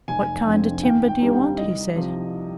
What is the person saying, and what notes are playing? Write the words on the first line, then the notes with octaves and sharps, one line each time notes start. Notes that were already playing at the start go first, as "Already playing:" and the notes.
"What kind of timber do you want?" he said.
F1 G#5
F2 D3 F3 C4
D#2 G5
G5
D3 G3 C4 D#4
G5
C2 D#5
C3 F3